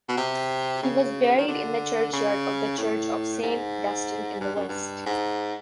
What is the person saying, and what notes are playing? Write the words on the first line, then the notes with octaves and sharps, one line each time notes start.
He was buried in the churchyard of the Church of Saint Dunstan-in-the-West.
B2
C3
C#3
D#3
D3
C#3
A2
G#2
G2
F#2
G2
G#2